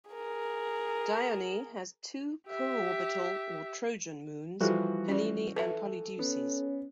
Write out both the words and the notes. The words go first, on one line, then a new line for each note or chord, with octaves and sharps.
Dione has two co-orbital, or trojan, moons, Helene and Polydeuces.
G#4 A#4
G4 E5
E3 F3 G3 F#4 G4 A4
C#4 D5
A4 B4 E5
B3 C#4